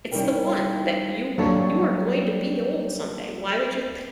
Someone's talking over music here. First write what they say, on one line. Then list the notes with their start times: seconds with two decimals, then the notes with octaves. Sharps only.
it's the one that you you are going to be old someday, why would you th
0.12 G3 C#4 D#4 E4 A#4 G5
1.38 F#3 G3 A#3 D4 A4 C#5